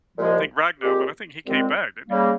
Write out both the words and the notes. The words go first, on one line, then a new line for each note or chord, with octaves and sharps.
I think Ragnow, but I think he came back, didn't he?
C2 A#2 F3 G#3
A#2 G#3 C4 G4
C2 A#2 G#3 C4 G4
C#3 G3 A#3